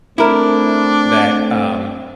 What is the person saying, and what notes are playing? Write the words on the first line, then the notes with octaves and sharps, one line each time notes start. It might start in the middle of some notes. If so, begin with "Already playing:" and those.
that, um
A3 C4 D4 E4 A#4